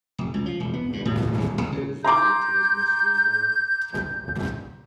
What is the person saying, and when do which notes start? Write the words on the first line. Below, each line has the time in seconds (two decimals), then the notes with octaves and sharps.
It was referred to as "Mystery Hill".
0.18 F1
0.34 C#2
0.46 F3
0.60 E1
0.74 B3
0.93 G2
1.05 A2
1.20 A2
1.38 D#1
1.61 C#2
1.72 C#3
2.04 A#5 C6 D6 G6